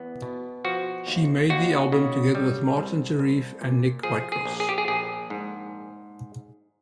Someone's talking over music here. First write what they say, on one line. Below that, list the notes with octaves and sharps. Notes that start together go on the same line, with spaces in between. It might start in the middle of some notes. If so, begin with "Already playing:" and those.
She made the album together with Martin Terefe and Nick Whitecross.
Already playing: E2 B3
B2
F3 F#4
D#2
D#2 F#4
C#3
G3
C2
C2
A#2
F3 G#4
G#4
A#1
G#4
G4
G#4
A#1 G#4
G#2